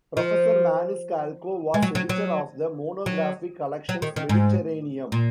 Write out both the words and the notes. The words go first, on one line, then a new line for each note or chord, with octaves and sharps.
Professor Maniscalco was editor of the monographic collection Mediterraneum.
F3
G#3
F#3
F#3
F#3
F#3
F#3
D#3
D#3
G#2
A#2